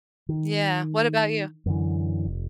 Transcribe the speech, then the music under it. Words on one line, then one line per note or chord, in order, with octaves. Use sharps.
Yeah, what about you?
D#3
F#2 D3 E3
F1